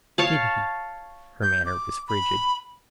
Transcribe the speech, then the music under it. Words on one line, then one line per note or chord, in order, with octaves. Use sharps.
"Did he?" Her manner was frigid.
C#5 F5 A5
G6
D6
B5